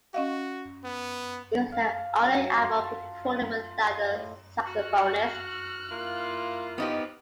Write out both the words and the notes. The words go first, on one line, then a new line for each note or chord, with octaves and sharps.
It was their only album recorded without a saxophonist.
C#4 F#4 D#5 F5
B3
F5
F#3
F4
A5
D#5
A2
F#4 F6 F#6
A#3 E4 F4
E3 F3 B3 D#4 G4